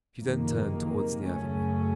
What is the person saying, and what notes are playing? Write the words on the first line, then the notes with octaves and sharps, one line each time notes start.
She then turned towards the avenue.
F#1 F2 C3 D#3 A#3
F#2 C#3 A3 C#4